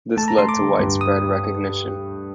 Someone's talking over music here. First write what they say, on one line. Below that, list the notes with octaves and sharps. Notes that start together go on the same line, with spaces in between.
This led to widespread recognition.
A3 A5
A#5
A3 C6
D6
D3
G2
D#6